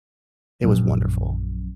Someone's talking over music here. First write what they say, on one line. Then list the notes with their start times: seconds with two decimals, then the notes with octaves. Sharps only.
it was wonderful.
0.64 A#1 F#2